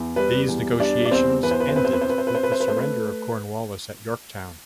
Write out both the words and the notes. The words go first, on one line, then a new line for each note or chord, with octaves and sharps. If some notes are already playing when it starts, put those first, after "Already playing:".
These negotiations ended with the surrender of Cornwallis at Yorktown.
Already playing: E2
G3 B4
E2
G3 D4 D5
D5
E2 C4 C5
E2 B4
C5
B4
C5
C4 B4
C5
B4
C5
C4 B4
C5
B4
C5
C4
B4
C5
B4
A3 C5
B4